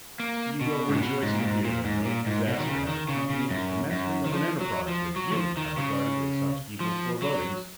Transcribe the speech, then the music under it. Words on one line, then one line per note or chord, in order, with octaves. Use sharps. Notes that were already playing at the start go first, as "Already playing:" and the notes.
You will rejoice to hear that no disaster has accompanied the commencement of an enterprise which you have regarded with such evil forebodings.
A#3
B2
G#2
A#2
B2
G#2
A#2
G#2
A#2
G#2
A#2
G#2
B2
D#3
C#3
D#3
C#3
C#3
F#2
F#2
D#3
F3
F#3
F3
F#3
D#3
F3
D#3
C#3
F3
F#3